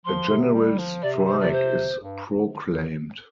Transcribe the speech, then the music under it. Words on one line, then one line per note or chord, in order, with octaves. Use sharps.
A general strike is proclaimed.
F3 C6
C3
G3
F3
C3 D5
C5
D5
C5
G2